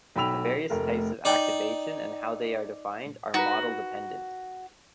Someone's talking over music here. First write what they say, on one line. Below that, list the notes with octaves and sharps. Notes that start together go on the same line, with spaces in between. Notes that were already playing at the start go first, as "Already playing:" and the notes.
The various types of activation, and how these are defined, are model-dependent.
B1 G5 B5 E6 F7
F1 A3 A#4
D#4 D5 G5
D#4 F#4 A#4 B4